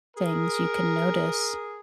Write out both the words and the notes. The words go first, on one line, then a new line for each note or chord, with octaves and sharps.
things, you can notice
G#4 A#4